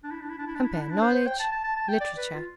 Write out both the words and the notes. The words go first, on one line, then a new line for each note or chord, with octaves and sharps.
Compare KNOWLEDGE; LITERATURE.
D4
E4
D4
E4
D4
E4
D4
E4
D4
E4
D4
C5
C5
G5
A5
A5
A5
A5
G5
D5
B4
F4